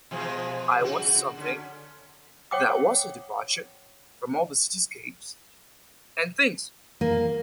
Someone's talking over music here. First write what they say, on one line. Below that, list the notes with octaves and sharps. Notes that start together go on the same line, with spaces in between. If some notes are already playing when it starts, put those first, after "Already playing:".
I wanted something that was a departure from all the cityscapes and things.
B2 F3 G#3
C#3 F#4
D3 C#4
C#5 F#5 G5 D6 D#6
A#3